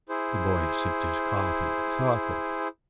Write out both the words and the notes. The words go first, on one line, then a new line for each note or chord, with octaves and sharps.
The boy sipped his coffee thoughtfully.
E4 G#4 C5